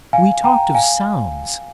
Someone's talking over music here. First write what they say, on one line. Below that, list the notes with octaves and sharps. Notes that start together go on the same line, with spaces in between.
We talked of sounds.
F5 G#5
G5 A#5
F5 G#5